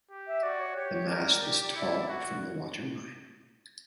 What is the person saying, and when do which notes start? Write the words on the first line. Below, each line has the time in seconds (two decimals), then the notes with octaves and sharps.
The mast is tall from the waterline.
0.11 G4
0.27 E5
0.43 F#4 D5
0.59 C#5
0.76 G4 C#5
0.93 C#5
1.09 A#4 D5
1.42 G4
1.76 E4
2.08 F#4